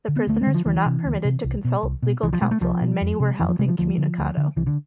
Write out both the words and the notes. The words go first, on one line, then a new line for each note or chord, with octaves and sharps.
The prisoners were not permitted to consult legal counsel, and many were held incommunicado.
D3
B3
D2 A3
D3 G#3
F3
D2 E3
C3
D2
C3
C2
B2
C2
B2
C2 E3
F3
B2 G#3
A3
C2 F3
B2
F2
C3
F2 E3
F3
C3 G#3
F3
D2 F3
D3
D2
D3
C2 E3
D3